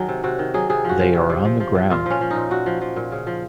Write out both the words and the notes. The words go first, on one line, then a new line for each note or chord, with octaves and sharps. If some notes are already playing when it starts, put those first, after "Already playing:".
They are on the ground.
Already playing: D#3 F#3 G#4
C3
C3 F#4
D#3
F#3 G#4
C3 G#4
F3 F#4
F3
C3
C3
F3
F3
C3
A#2 F4
F3 C#4
F3
A#2 D#4
A#2 F#4
F3
F3
A#2
C#3
F3